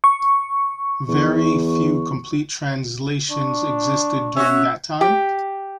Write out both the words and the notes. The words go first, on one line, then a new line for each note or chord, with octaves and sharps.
Very few complete translations existed during that time.
C#6
E2
D4 C#6
C#4 F#4 E5
G4